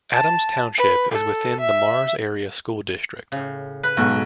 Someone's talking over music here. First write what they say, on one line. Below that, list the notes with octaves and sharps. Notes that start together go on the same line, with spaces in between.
Adams Township is within the Mars Area School District.
A5
B4
A4
E5
A2 C#3
B4
B1 G#2 F#4 A4